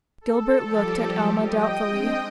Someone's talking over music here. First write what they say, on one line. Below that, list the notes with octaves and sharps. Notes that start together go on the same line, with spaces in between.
Gilbert looked at Alma doubtfully.
A4
F3 G3 G4
D#5 G5 D#6
G#3 C4 D4